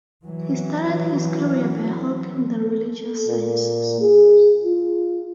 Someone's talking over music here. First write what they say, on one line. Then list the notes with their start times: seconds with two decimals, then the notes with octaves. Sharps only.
He started his career by helping the religious sciences.
0.25 E3 F#3
2.62 A4
3.28 A#2
4.00 G#4
4.64 F4